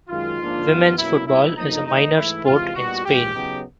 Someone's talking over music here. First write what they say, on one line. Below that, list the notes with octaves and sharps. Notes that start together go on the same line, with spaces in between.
Women's football is a minor sport in Spain.
F#2 D#3 G#3 F4
G#2 F3 A#3 D4
F#2 D#3 G3 B3
B2 F#3 A#3 C#4 E4
B2 G3 B3 D#4 E4
F#2 D3 F3 A#3 D#4
E3 A3 C#4 D#4
G#2 E3 A3 E4
C3 E3 G#3 F4
A#2 G3 B3 D#4 F#4
G#2 E3 G#3 C#4 G4
C#3 F#3 B3 D#4